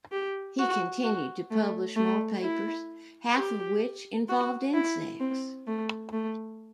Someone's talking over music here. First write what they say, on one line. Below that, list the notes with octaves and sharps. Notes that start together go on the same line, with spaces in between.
He continued to publish more papers, half of which involved insects.
G4
F#4
F#4
A3
A3
E4
G4
F#4
E4
C4
A3
A3